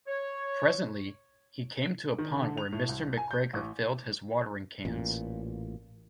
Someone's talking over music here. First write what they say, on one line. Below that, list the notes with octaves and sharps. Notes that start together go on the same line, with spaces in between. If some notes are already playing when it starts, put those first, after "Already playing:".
Presently, he came to a pond where Mr McGregor filled his watering cans.
C#5
D#3
D3
F7
A2
C2
G#5
G6
A1
A1 A#2